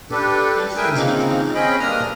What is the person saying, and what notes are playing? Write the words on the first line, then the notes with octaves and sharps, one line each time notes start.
Here's some cheese you like.
D4 G4 A4 B4
G#4 A#4 B4 E5 G5 G#5
C#3 F3 A#3 C4 D#4
C4 C#4 G#4 D#5 G5 B5
G2 A#3 D4 A#5 D#6 F6